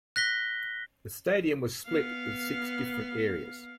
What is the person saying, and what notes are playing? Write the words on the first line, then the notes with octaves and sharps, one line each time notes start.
The stadium was split with six different areas.
F#6 A#6 B6 G7
B3 F5